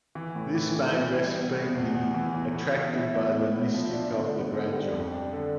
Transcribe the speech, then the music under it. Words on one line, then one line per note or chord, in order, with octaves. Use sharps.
This made Respighi attracted by the mystic of the gradual.
E3
A2
E3
E3
E4
G3
B3
B2
E2
E2
E3
E2
B2
B2
E4
E4
B3
B3
F3
D4
D3
B3
D3
G3
F2
D4
D3